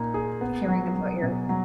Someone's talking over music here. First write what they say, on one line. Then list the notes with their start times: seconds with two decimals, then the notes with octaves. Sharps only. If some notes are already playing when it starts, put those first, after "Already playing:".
hearing about your
Already playing: A#2 A#3 D#4
0.14 G#4
0.41 B3
0.68 F#3
0.95 F#3
1.22 B2
1.49 F#3